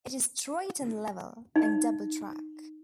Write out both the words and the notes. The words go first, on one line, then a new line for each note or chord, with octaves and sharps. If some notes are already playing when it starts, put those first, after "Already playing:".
It is straight and level, and double track.
D#4